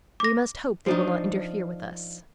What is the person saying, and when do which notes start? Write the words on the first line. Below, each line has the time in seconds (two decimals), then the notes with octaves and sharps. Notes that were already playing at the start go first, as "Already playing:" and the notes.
"We must hope they will not interfere with us."
0.20 D6 A#6
0.86 F3 D4 D#4